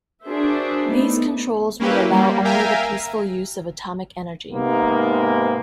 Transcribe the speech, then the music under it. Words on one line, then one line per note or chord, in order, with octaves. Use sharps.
These controls would allow only the peaceful use of atomic energy.
D4 F#4 G#4 A#4 C5 E5
A3 B3 D#4
A#3 C#4 E4 G4 B4
G3 A#3
A#4 E5 F5 G5 G#5 A#5
G#2 C3 A#3 B3